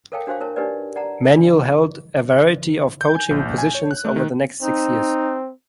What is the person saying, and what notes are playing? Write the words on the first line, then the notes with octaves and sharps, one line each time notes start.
Manuel held a variety of coaching positions over the next six years.
A4 A#4 C#5 F5 G5 A5
D4 F#4 C5 F5 C#6
E4 A#4 C#5 A5
D4 D#4 G4 A#4 B4 D5
D5 F#5 A5 A#5
D4
G6
G#5
A#1
A#1
G#5
C#5
F#6
A3
D#3
C4 D#4